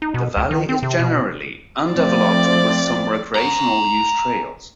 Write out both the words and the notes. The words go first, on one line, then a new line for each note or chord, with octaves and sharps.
The valley is generally undeveloped, with some recreational use trails.
D#4
B2
C#2
D#3
C4
C3
B2
F3 A3 C4 D5
G#5 A#5